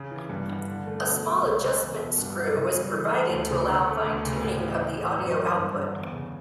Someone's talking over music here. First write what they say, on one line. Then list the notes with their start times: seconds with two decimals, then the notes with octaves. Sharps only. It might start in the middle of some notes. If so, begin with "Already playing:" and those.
A small adjustment screw was provided, to allow fine tuning of the audio output.
Already playing: C#3
0.11 E3
0.29 G2
0.48 D3
0.68 D3
0.86 A3
1.04 B2
1.23 F#3
1.42 C#2
1.61 C#3
1.79 E2
1.98 B2
2.18 G2
2.36 F#3
2.55 C#3
2.74 G3
2.93 E3
3.11 A3
3.30 D2
3.49 C#3
3.68 D3
3.87 A3
4.06 D2
4.25 C#3
4.43 A2
4.62 E3
4.81 A2
5.00 E3
5.19 F#2
5.37 E3
5.56 G2
5.75 D3
5.93 E2
6.13 C#3